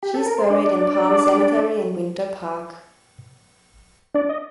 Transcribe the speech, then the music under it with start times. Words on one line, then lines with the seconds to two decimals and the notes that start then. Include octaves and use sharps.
She is buried in Palm Cemetery in Winter Park.
0.03 G4
0.14 A4
0.26 A#4
0.38 C5
0.50 D4 D5
4.14 D4 D5
4.29 D#5